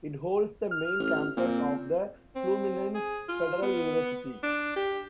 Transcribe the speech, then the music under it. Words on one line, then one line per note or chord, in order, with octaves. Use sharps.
It holds the main campus of the Fluminense Federal University.
F6
A1
A#2 C4
C4
G#4
F4
B3
D4
G4